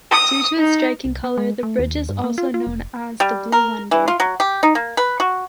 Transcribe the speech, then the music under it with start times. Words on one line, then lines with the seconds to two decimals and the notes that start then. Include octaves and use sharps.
Due to its striking color, the bridge is also known as the “Blue Wonder”.
0.11 D#6
0.58 D#4
1.05 C2
1.24 B3
1.38 G#3
1.63 A3
1.79 D#2
2.09 G2
2.24 A#3
2.38 F4
2.54 F4
2.67 F1
3.20 G3
3.52 A#4
3.91 E3
4.08 F4
4.20 F#3
4.40 G4
4.63 D#4
4.75 A#3
4.97 B4
5.20 F#4